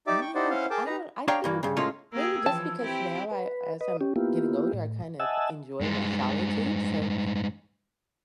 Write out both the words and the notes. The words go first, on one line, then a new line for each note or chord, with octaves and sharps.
Oh, my gosh, I don't, I think maybe just because now I, as I'm getting older, I kind of enjoy my solitude, so,
D#4 G4 D5 E5 D6
G5 C#6
D#4 E4 G4 C5 D5 F#5
C#4 E4 C5 F5 F#5 C6
G#4 A#4 G5 A5 D6
D#4 B4 A#5
D4 G4 C#5 F5 G5 A#5
G2 E3 A#3
G2 C#3
A2 G#3 A#3 C#4 F4 A4
A#3 G4 G#4 E6 G#6
E3 F3 A5
C4 E4 G4
B4
B4 D#5
C#4 G4
A#3 B3 E4 F4 G4
A2
D#5 E5 F#5 G#5 A5 E6
G2 G#3